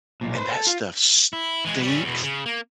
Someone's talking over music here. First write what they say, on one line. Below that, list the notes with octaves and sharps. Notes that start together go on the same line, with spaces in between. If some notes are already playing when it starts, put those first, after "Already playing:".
and that stuff stinks.
B1 A#2
B4 C5
A4
F4
E4
E3 G#3
G3 C#4
E2 B2
C#3
A#3